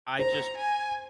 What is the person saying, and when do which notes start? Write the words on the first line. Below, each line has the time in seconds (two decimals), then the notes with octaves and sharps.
I just
0.19 C5 A#5
0.57 G#5